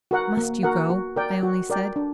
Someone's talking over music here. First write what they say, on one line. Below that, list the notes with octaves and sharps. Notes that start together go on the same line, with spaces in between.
"Must you go?" I only said.
F#4 A#4 F#5
A#3
F#4 A#4 F#5
F#4
A#4 D5 G5
F#4
A#4 D5 G5
D4